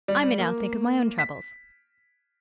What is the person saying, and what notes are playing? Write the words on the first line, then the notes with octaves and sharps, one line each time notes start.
I may now think of my own troubles.
G3
A#3
B6